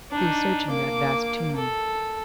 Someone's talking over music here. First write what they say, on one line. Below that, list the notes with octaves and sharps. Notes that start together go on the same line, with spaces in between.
He was searching that vast tomb.
D4 D#4
A#3 D6
A4